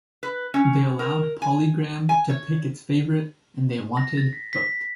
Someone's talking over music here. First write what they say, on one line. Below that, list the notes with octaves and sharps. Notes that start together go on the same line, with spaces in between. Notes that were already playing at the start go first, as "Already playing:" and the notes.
They allowed Polygram to pick its favorite and they wanted both.
B4
C#4
A#4
G#5
G#5
C#5
A#6
A6
B6
B6